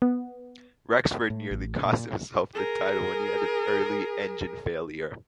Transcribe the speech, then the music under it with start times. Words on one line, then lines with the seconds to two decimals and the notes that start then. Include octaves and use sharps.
Rexford nearly cost himself the title, when he had an early engine failure.
0.02 B3
1.30 A2
1.51 A1
1.85 A#2
2.54 G#4 A#4